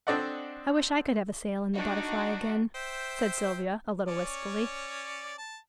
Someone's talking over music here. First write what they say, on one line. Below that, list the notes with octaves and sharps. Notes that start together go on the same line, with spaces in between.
"I wish I could have a sail in the Butterfly again," said Sylvia, a little wistfully.
C4 D4 A4 D5 D#5 F#5
D4 D#4 F#4
C5 E5 G5
C#4 C#5 D5
A5